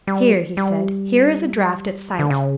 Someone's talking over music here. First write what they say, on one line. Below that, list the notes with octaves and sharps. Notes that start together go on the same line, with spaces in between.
"Here," he said, "here is a draft at sight."
G3
G3
D3
C#3